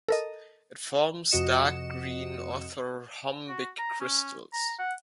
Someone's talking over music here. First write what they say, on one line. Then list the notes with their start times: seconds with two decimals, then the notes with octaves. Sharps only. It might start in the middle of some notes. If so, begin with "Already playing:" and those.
It forms dark green orthorhombic crystals.
0.08 A4 A#4 D#5
1.31 F2 C3 F#4 D#5 C#7 E7
3.48 F#4
3.78 A#5
4.00 C#4
4.53 A#5
4.79 F#5